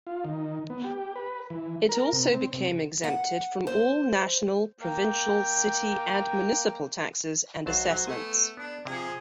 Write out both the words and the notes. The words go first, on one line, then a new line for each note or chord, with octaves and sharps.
It also became exempted from all national, provincial, city and municipal taxes and assessments.
F4
D#3
B3
G4
B4
E3
A#4
C3
C4
C3
F#5
C5
A#3 G5
B1 F#3 F#4 C5 A5
F#3
A3 B3 G#5
B3 D4
C3 F3 G#4